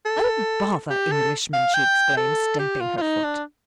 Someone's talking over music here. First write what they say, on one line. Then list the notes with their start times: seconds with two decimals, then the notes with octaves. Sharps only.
"Oh, bother Englishmen!" she exclaimed, stamping her foot.
0.05 A4
0.90 G4
1.12 A4
1.54 F5
1.75 G5
2.17 A4
2.59 G4
2.81 F4
2.98 F4
3.02 D#4
3.24 D4